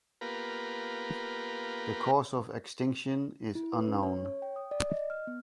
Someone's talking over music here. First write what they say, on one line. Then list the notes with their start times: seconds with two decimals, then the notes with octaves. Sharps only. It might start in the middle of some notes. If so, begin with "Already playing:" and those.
The cause of extinction is unknown.
0.21 A#3 B3 F4 G4 A#4 B4
3.55 E4
3.73 B4
3.88 C#4
4.03 C#5
4.25 C#5
4.42 G5
4.56 D#6
4.71 D5
4.90 D#5
5.10 F6
5.27 B3